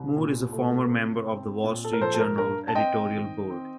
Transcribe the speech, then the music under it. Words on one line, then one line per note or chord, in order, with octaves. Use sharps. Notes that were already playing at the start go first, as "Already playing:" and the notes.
Moore is a former member of the "Wall Street Journal" editorial board.
Already playing: C2
A#2
A3
C3
C4
A#2
A4
A#4
F3 A4 C5
A4
A#4
G2 A#4
A5
C4 D#5 G5
D#3
C4